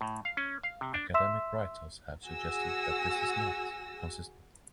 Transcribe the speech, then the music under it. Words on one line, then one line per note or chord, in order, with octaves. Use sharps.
Academic writers have suggested that this is not consistent.
A2
F5
C#4
F5
C3
D4
E5 C6 E6 B6 E7
F#4 G#4 G#5 E6 A#6